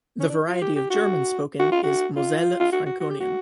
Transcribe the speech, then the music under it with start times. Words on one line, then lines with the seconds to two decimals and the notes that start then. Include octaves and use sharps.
The variety of German spoken is Moselle Franconian.
0.20 C#4
0.29 D4
0.48 F4
0.62 G4
0.76 G4
0.90 F#4
1.60 F#4
1.72 F4
1.84 F#4
2.17 F4
2.60 F4
2.72 F#4
2.86 F#4
3.00 F#4
3.10 G4
3.20 F#4